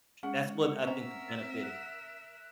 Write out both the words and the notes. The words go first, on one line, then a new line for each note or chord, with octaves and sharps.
that's what I think the benefit is.
G#3 C#4 F#5
C4 C#4 A#4 E5 A#5
F#6